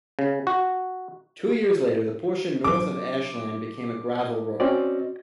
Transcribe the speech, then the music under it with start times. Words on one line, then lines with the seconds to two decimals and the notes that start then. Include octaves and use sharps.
Two years later, the portion north of Ashland became a gravel road.
0.19 C#3
0.47 F#4
2.64 F#3 D4 D6
4.60 C4 C#4 F#4 D5 D#5